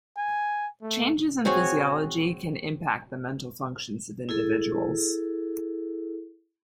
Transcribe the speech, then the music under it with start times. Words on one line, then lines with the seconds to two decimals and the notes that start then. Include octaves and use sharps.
Changes in physiology can impact the mental functions of individuals.
0.17 G#5
0.82 A3
1.45 C4 F#4 G#4 C#5
4.29 E4 G#4 A4